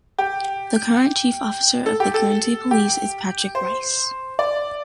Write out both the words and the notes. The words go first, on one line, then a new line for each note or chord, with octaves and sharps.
The current Chief Officer of the Guernsey Police is Patrick Rice.
G4
A4
G4
A4
G4
C5
D5